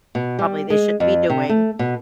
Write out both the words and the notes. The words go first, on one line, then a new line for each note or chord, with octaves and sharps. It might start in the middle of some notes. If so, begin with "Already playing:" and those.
probably they shouldn't be doing.
B2
G3
G#3
F2
C3
A3
B2